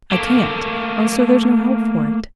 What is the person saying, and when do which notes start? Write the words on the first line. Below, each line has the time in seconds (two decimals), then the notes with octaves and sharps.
"I can't! and so there's no help for it."
0.12 A3 A#3